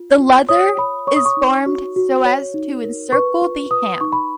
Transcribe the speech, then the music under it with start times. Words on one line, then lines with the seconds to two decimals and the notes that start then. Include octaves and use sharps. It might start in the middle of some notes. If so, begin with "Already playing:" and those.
The leather is formed so as to encircle the hand.
Already playing: F4
0.20 F4
0.49 C#5 D#6
0.78 C#5 B5
1.07 C#5 C#6
1.16 D#6
1.26 C#6
1.37 D#4
1.66 F#4
1.96 F#4
2.25 C#5
2.54 D#4
2.84 A#4
3.12 B4 C#6
3.42 F4
3.71 B4 D#6
4.01 D#4 C#6
4.12 B5